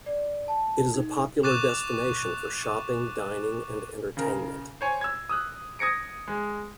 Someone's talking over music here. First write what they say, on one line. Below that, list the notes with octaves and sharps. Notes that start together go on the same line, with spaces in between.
It is a popular destination for shopping, dining and entertainment.
D5
A5
D#4
C#6 D6 F#6 A6 D#7 E7
C#3 A#4
C5 C#5 G#5
E6 G#6
D#6 E6 F#6
D#6 G#6 A#6 C#7 D7
G#3